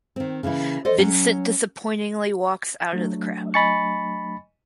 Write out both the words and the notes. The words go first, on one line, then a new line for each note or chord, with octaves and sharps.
Vincent disappointingly walks out of the crowd.
D#3 C4
C#3 E3 A#3 E4
A4 C5 D5 D#5
F#3 C#4
F#3 A3 D4
D#5 G#5 B5 C#6 A6 C#7